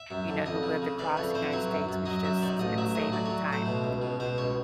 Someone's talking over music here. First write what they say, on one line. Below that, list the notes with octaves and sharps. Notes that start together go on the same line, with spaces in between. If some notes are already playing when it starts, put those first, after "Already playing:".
you know, who lived across United States was just insane at the time.
Already playing: E5
F#2
D3
F2 D#5
C#3
C#3
E3 D5
F2 C#5
E3 C5
F#3 C#5
F#2
F#2
F#3 D#5
F#2 E5
D#3 D5
A1 D#5
F#3 E5
A2 D#5
F#3 D5
F#3 C#5
A2 C5
B2
C#2
B2
B2 C5
C#2 C#5